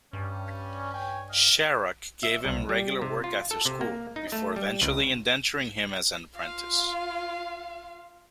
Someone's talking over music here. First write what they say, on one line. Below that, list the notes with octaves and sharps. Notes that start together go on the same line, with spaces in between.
Sharrock gave him regular work after school, before eventually indenturing him as an apprentice.
G2 G3 C#4
C#5 G5 G#5
D#5 F5
E5
C2
G3
C3
F4
A4
C3
A#3
D#4
A3
G3
C#2
F4 F5